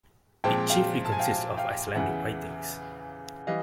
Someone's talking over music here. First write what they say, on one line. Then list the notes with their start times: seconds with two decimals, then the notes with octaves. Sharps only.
It chiefly consists of Icelandic writings.
0.44 A#2 F3 G#3 C4 G5 A5
0.70 F5 G5
1.05 A5
1.12 G#5
1.19 F5 G5
1.57 F5 G5
1.95 E2 C#3 E3 E5 F#5
3.47 E3 G3 D#5 F5